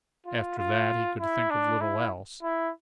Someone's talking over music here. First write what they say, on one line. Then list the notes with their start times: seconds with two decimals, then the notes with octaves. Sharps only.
After that he could think of little else.
0.26 F4
0.58 F4
1.19 E4
1.50 D4
1.81 E4
2.43 E4